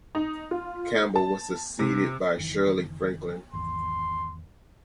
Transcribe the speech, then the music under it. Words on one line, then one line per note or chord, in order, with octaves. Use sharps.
Campbell was succeeded by Shirley Franklin.
D#4
F4
A5
C3
F#1 D#3 E3
G#1 E2 C6